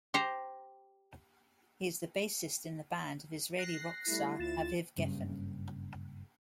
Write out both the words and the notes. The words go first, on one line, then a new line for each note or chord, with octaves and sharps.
He is the bassist in the band of Israeli rock star Aviv Geffen.
G4 C5 A#5
F#6 A#6 C7
G3 A3 E4
D2 E4 F4 A6 E7
F#1 G2 C#3